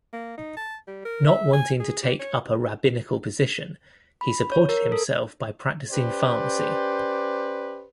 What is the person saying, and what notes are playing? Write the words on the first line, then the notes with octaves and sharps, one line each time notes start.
Not wanting to take up a rabbinical position, he supported himself by practicing pharmacy.
A#3
D#4
A5
G3
A#4
E5
G#5
G#4
G4
C#5
B5
C#5
A#4
A4
C#4 G4 B4 C5 D5